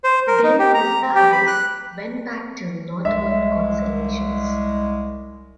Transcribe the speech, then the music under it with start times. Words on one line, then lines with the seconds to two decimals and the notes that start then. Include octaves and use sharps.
Then his eyes went back to the northward constellations.
0.04 C5
0.28 A#4
0.43 D#4
0.59 G4
0.74 A#5
1.02 C4
1.15 G4
1.32 B5
1.47 F#6
3.05 C2 G#3 E5